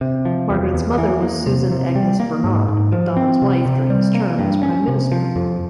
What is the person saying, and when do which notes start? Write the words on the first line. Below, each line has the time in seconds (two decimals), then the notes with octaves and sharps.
Margaret's mother was Susan Agnes Bernard, Macdonald's wife during his term as Prime Minister.
0.01 C3
0.25 F3
0.50 E2
0.74 E2
0.98 E3
1.22 A#3
1.46 C3
1.71 C3
1.96 G3
2.20 A#3
2.44 G#2
2.69 G#2
2.92 F3
3.17 C4
3.42 C3
3.66 C3
3.90 G3
4.14 A#3
4.39 G2
4.63 C#4
4.88 C3
5.12 F3
5.36 F2